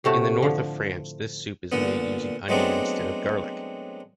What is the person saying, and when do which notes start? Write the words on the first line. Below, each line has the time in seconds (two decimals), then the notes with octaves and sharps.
In the north of France, this soup is made using onion instead of garlic.
0.04 A2 C3 A3 F#4
0.42 D3 F3
1.72 A#2 D3 B3
2.49 F#3 G#3 A3 B3 C4 D4